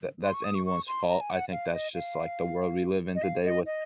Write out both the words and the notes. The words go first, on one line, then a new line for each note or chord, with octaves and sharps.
that that's anyone's fault, I think that's just like the world we live in today with
C6
C#6
D#6
C#6
C#6
C6
A#5
G#5
F#5
F5
D#5
F5
D#5
F5
D#5
D#5